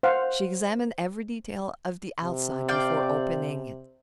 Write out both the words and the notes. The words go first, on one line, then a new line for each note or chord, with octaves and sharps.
She examined every detail of the outside before opening it.
C5 F5 F#5
C3
D5 F5 G5